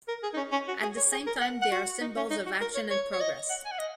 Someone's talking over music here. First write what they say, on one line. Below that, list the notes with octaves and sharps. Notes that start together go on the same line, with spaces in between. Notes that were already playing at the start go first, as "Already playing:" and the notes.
At the same time, they are symbols of action and progress.
A#4
G#4
D#4
C#4
C#4
F#4
G#4
C#5
G#4
A#4
F#5
F#5
F#4
D#4
C#4
D#4
F#4
A#4
C#5
C#5
C#5
D#5
F#5
G#5
F#5
D#5